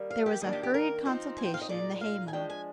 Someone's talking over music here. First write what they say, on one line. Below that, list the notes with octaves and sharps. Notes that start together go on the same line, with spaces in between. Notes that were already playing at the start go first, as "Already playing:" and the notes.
There was a hurried consultation in the hay-mow.
Already playing: D#3 G3 A#3
F5
G4
D#3 A#3 D4 G#4
G4
G4
A#4
F3 C4 D#4 C5
G#5
G5
F5
D#5
A#2 G#3 D#4 D5
F5
G#5
F3 G#3 D4 G5
G#5